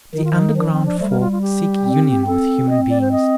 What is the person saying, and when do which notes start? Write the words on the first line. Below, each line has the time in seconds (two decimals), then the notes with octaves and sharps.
The underground folk seek union with human beings.
0.15 D#3 D#4
0.24 F4
0.33 D#4
0.57 F3 D4
0.71 C4
0.86 D4
0.99 G3 A3
1.10 A#3
1.20 F4
1.32 F4
1.41 G4
1.85 C4
2.27 C4 A4
2.69 D#5
2.90 D5
3.01 C5
3.11 D#5